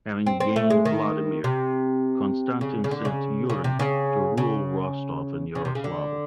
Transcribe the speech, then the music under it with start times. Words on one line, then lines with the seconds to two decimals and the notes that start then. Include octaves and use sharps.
Having gained Vladimir, Konstantin sent Yuri to rule Rostov and Yaroslavl.
0.26 C4
0.40 C4
0.56 A3
0.70 G#3
0.85 D#3
1.44 C3
2.61 C#3
2.84 C#3
2.91 D3
3.05 C#3
3.50 C#3
3.64 C3
3.79 C#3
4.37 C#3
5.55 C#3
5.65 C3
5.75 C#3
5.84 D3